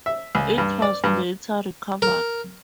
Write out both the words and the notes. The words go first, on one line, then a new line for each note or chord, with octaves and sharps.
It was later recovered.
E5
C#2
G2
D5
G2
A#4